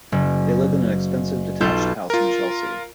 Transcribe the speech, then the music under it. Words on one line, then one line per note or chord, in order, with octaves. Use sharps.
They live in an expensive detached house in Chelsea.
F#1
B1 B3 F4 A4 G6
F4 A#4